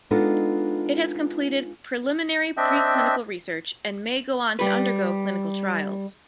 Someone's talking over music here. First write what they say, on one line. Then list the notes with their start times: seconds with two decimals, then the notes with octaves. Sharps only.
It has completed preliminary preclinical research and may go on to undergo clinical trials.
0.11 G#3 B3 D4 D#4 F4 A4
2.57 C4 D4 D#5 E5 G5
4.59 G3 B4